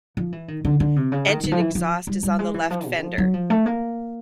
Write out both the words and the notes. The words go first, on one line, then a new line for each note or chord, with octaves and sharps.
Engine exhaust is on the left fender.
F3
E3
D#3
D3
D3
C3
C#3
D#3
D#3
F3
E3
F3
G3
G3
G#3
E3
F3
B2
F3
F#3
F3
A3
A#3